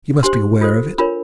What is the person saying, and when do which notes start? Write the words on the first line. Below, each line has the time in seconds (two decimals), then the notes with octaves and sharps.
You must be aware of it.
0.23 D4 G4 C5 C6
0.61 F4 A4 C5
0.98 D4 F4 A#4 C#5 B5